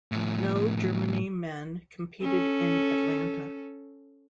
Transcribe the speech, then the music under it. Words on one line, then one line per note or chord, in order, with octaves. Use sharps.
No Germany men competed in Atlanta.
A2 F3
C#4 A4